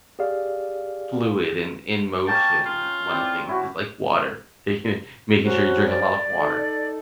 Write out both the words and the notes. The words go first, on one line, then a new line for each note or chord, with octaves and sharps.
fluid and in motion. One of the things is, like water. Taking in making sure you drink a lot of water.
G4 G#4 D5 F5
A#3 C#4 G5 A5
F4
C4 E4 D5
C#4 E4 F#4
C#4 F#4 A#4 C5
D5
D#4 A4